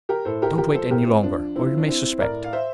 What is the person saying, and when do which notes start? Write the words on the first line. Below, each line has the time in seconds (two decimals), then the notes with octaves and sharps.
Don't wait any longer or he may suspect.
0.09 G4 A#4
0.25 A2 A4 C5
0.42 G4 A#4
0.58 F3 G4 A#4
0.74 A4 C5
0.91 A2 G4 A#4
1.07 C4
1.23 F3 D4
1.55 F3 C4 E4
1.78 D4
1.88 C4 E4
2.21 A2 A#4 D5
2.44 F5
2.53 C5 E5